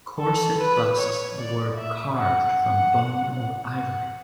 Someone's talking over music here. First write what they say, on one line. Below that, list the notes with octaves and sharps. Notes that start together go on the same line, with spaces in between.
Corset busks were carved from bone or ivory.
A4
B4
C#5
D5
E5
F#5
F#5
F#5